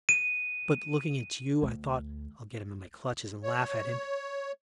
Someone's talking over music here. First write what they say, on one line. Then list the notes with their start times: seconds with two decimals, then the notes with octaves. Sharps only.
But looking at you, I thought, I'll get him in my clutches and laugh at him.
0.09 D#7
1.63 D2
3.43 C#5